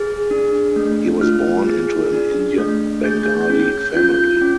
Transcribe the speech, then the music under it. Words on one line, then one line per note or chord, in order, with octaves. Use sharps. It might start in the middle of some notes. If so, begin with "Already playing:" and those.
He was born into an Indian Bengali family.
Already playing: G#4 F6
D4
A3
F4 F6
G#4
D4
A3
G#4 G6
G6
G6
C#4
G6
G6
F4 G6
G6
G6
C#4